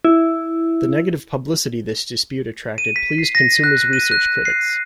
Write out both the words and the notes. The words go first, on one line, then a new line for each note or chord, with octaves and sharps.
The negative publicity this dispute attracted pleased Consumers' Research critics.
E4
D#7
B6
C7
A#6
F#6
D#7
F#6
C7